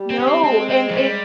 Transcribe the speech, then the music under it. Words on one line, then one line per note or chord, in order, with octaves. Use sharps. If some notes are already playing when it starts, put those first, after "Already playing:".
No. And it
Already playing: G3
C4
C#4
C4
G#3 C4
C4
F3
G3